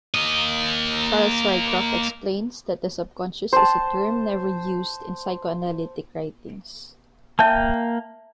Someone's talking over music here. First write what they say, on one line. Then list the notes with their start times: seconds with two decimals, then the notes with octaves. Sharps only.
Charles Rycroft explains that the subconscious is a term "never used in psychoanalytic writings".
0.14 A#3 D#5
3.53 C5 A5
7.39 A#3 E5 G5 A5 G6